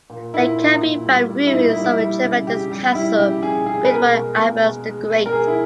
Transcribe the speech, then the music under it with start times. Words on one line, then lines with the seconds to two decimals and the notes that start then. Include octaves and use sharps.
There can be found ruins of a tremendous castle, built by Abbas the Great.
0.10 A#2
0.34 A#2 E4
0.58 A#2
0.82 A#2
1.05 G3
1.30 G3
1.47 E4
1.52 A#2 D#4
1.69 E4
1.77 G3
1.84 E4
2.00 G3
2.24 C#3
2.47 C#3 G4
2.71 G3 G4
2.95 G3 E4
3.19 C#3 G4
3.42 C#3 G#4
3.66 C#3 G#4
3.85 B4
3.90 B2 A#4
4.14 G#3
4.38 B2
4.61 G#3
4.85 G#3
5.09 B2
5.26 A#4
5.32 G#3 G#4
5.47 E4